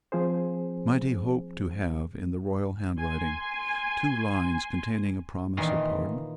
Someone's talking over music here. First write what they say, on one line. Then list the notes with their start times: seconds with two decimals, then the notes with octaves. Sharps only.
Might he hope to have, in the royal handwriting, two lines containing a promise of pardon?
0.12 F3 C4 G#4 C5
2.98 G#5 C6
5.57 A#2 D#3 E3 C6